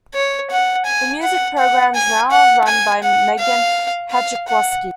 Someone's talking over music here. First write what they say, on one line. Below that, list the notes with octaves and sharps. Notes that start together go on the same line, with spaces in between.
The music program is now run by Meghan Hachkowski.
C#5
F#5
G#5
F#5
F#5
G#5
F#5
G#5
F#5
F5
F5
F#5